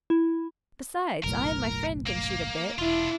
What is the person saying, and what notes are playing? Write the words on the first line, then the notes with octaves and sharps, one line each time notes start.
Besides, I and my friend can shoot a bit.'
E4
F#1 B1 A2 A#4
A#3
E1 D4 E4 F4